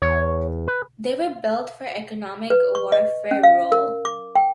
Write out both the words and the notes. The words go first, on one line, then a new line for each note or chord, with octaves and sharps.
They were built for economic-warfare role.
E2 C#5
B4
B4
C#6
D#5
C#4
F5
A#4
D6
G5